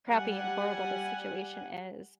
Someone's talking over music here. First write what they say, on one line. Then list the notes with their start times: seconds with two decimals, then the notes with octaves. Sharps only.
crappy and horrible this situation is,
0.10 G3 F#5 G#5